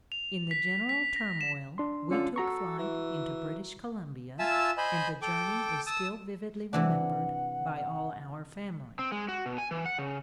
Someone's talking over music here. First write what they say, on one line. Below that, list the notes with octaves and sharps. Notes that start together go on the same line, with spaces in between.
In the general turmoil, we took flight into British Columbia, and the journey is still vividly remembered by all our family.
F7
B6
B6
A#6
E7
D4 C6
D3 C#4 F4
F#4 A4 A#5 C#6
E3
F4 E5 G#5 A5 E6
C5 D#5 G#5 B5
A4 G5 D6
A5 D#6 E6
C3 E3 D4 F#5
C4
G#3
F#4
B2
G#5
E3
F#5
C#3